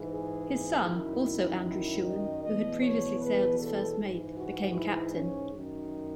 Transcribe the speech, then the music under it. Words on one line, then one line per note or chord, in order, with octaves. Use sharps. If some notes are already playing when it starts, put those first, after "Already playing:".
His son, also Andrew Shewan, who had previously sailed as first mate, became captain.
Already playing: G#2 E3
G#4
F#2 D#3 E4
E4
D#5
E2 B2 D#5
C#5
B4
A4
G#2 E3
F#4
E4
C#4
F#2 D#3